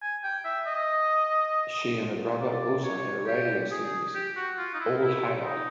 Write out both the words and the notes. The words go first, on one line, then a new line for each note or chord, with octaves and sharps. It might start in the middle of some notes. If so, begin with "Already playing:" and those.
She and her brother also had a radio series, "All Hale".
G#5
G5
E5
D#5
D5
C#5
G4
G#4
G4
F#4
F4
D#4
E4
E4
D#4